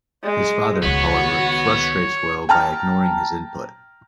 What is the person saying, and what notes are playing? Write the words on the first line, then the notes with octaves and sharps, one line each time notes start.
His father, however, frustrates Will by ignoring his input.
G#3
C#2 D#3 B3 F#4 C#5
G5 A5 A#5 F6